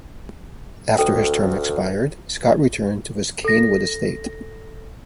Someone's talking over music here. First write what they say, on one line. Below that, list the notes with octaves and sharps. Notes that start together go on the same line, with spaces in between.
After his term expired, Scott returned to his Canewood estate.
D2 A4 G5
A4 A#6